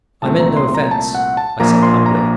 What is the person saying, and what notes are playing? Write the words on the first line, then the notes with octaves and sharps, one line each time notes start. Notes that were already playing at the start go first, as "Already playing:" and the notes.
"I meant no offence," I said humbly.
C2 A#2 A3 C4 A5
A#5
C6
A#5
A5
F#5
A5
A#1 A#2 F3 A#3 A#5
C6
A#5